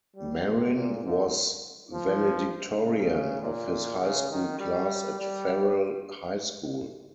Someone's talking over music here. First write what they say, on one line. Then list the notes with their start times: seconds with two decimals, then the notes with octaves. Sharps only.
Marin was valedictorian of his high school class at Farrell High School.
0.16 G3
0.45 C3
0.75 A#2
1.05 G#2
1.93 F3
2.82 C#3
3.41 A#2
4.00 C#3
4.30 D#3
4.59 G3
5.19 G3